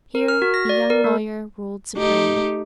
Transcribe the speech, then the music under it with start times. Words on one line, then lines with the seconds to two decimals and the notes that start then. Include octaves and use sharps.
Here the young lawyer ruled supreme.
0.15 A#4
0.28 F6
0.42 F#4
0.54 A#6
0.69 D5
0.90 A#4
1.04 A#3
1.96 A3 D#4 G4